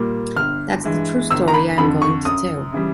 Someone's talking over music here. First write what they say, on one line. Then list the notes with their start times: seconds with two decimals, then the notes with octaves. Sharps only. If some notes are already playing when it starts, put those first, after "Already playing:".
That's the true story I am going to tell.
Already playing: A#2 G3 A#3
0.36 G1 F6
0.84 G2 E3 G#3
1.31 G1 E6
1.48 A#5
1.54 B5
1.78 F2 D3 B5
2.02 C#6
2.25 F#2 D#6
2.72 C#3 E3 G3